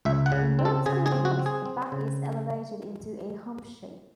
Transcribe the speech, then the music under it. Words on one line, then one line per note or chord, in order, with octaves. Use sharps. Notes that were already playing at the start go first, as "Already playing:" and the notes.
In both species, the back is elevated into a hump shape.
C#2 E5
F#5
C#3
C4
A4
C#3 G#4
G#4
C4
F#4
C4
G#4
C4
C#3